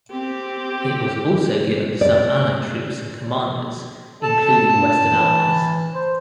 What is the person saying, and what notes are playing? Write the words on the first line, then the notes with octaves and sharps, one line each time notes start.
It was also given to some allied troops and commanders, including western allies.
C4 G4
D5
A4 A5
G2
E3
C5